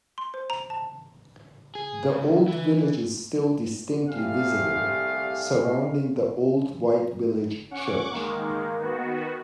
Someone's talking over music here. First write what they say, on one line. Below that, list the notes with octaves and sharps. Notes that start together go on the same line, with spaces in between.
The old village is still distinctly visible, surrounding the old white village church.
C6
C5
A#5
A5
G#4
D2 C#3
E3
C2 A3 G4 G#4 D5 F5
C#4 F#5 C#6 D6
D#3 G#3 A#3
D#3 B3 F#4